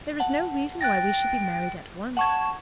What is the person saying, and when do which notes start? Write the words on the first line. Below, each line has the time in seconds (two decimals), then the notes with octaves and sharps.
"There is no reason why we should be married at once."
0.20 F#5 A5
0.81 G5 F#6 A6 A#6
2.17 F#5 A5 C#6 G#6